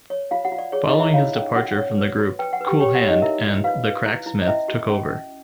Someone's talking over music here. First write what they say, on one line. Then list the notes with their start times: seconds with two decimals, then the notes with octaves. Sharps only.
Following his departure from the group, Cool Hand and The Cracksmith took over.
0.10 C#5
0.31 F4 F5
0.45 F#4 F#5
0.52 F4
0.58 D5
0.72 G#4 C#5
0.86 D#4 D#5
0.94 F4
1.00 E4 E5
1.14 F4 C#5 F5
1.35 C#4
1.55 C#4 F#4 F#5
1.77 C#5
1.98 B4
2.19 F#4
2.39 B4 G5
2.53 F#5
2.61 B4
2.67 G4 G5
2.80 G4 C#5 G5
2.95 F#4 F#5
3.01 C#5
3.09 D#4 D#5
3.22 E4 A#4 E5
3.43 F4
3.64 F4 B4 F5
3.85 B4
4.06 E4
4.26 E4
4.42 D#5
4.47 C#4 E4 E5
4.68 F#4
4.90 C#4
5.10 C#4